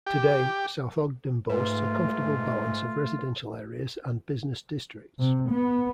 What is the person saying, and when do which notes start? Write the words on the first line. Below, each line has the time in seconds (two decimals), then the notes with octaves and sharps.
Today, South Ogden boasts a comfortable balance of residential areas and business districts.
0.07 G4
1.50 G#2 A3 F4 B4
5.19 C3
5.50 B3